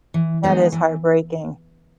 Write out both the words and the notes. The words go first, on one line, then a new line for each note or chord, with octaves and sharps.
That is heartbreaking.
E3
G#3 B3 D#4 G#4
E3